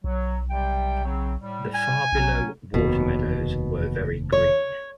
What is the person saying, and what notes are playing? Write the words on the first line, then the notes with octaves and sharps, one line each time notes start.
The far-below water-meadows were very green.
B1 F#3
C3 G3 G5
C#3 F#3 C4
A2 G3
G#5
A#1 F#3 C#4
F1 D#2 B2
C#5